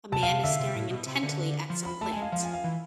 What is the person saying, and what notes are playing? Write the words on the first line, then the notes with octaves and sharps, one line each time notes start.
A man is staring intently at some plants.
C3 A5
B2 F5
C3
D3 E5
C3
A2
B2
C3
D3
F3
B5
A3 A5
G#5
G#3
F5
F3 F5
G#5
F5
E3